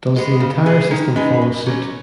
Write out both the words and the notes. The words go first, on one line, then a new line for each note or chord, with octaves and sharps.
Does the entire system follow suit?
G#3 B3
C#3
G#3 B3 G#4
D#3 D#4
G#3 C#4 D#4 G#4 B4
B2
F#3 C#4